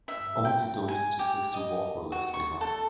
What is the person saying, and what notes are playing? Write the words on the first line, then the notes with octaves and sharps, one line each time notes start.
Only those too sick to walk were left behind.
E5
G5
G#5
G4
D#5
F#4
C#6
A4